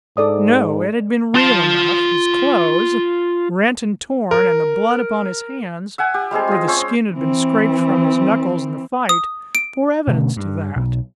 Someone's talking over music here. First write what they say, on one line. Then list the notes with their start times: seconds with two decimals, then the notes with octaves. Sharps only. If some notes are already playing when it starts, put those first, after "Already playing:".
No, it had been real enough; his clothes, rent and torn, and the blood upon his hands, where the skin had been scraped from his knuckles in the fight, bore evidence to that.
0.17 G#2 A4 D5 D#6
1.35 F4 A5
4.31 A#4
5.98 E5 F#5 G#5
6.14 G4
6.31 G3 G#3 C4 G#4
6.47 F4 D#5
6.68 C#4 C5 E5
7.14 E3 C4
9.09 D#6
9.55 D7
10.07 B2 D3 A3 C#4
10.36 G2
10.76 B1